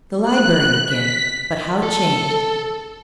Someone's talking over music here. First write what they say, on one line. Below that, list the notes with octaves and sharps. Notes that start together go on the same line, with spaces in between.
The library again! but how changed!
F#6
B6
A4